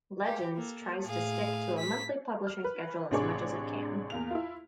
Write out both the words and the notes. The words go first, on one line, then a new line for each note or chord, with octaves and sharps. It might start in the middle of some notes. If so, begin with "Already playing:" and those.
"Legends" tries to stick to a monthly publishing schedule as much as it can.
G4
A#3 A4
A2 G#4 F5
B6
F6
B4
A1 C3 D4 G#4 C#5 D6
E2 A#3 F7
E4 F4